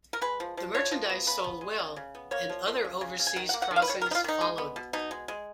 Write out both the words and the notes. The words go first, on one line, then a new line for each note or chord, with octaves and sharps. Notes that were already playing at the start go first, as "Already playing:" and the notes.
The merchandise sold well and other overseas crossings followed.
A#4
G#3 B4
F3
F3
F3 C#5
F3
B3
C#3 B4
B3
G#3
C#3
C#3
B3
A#3 C#5
F3
F3
C#3
C#3
C#3
G#5
D#3 F#5
F#5
A#3
F#5
D#3
F5
B4
D#3 C#5
A#4
D#3
D#4
F4
D#3 D#4
G#3
B3
B2
B2 D#4
G#3
G#3